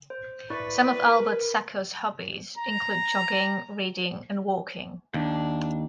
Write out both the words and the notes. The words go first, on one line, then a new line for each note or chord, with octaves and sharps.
Some of Albert Sacco's hobbies include jogging, reading, and walking.
C5
E4 B4 D5 C#6
A#4
A#5
D#2 D4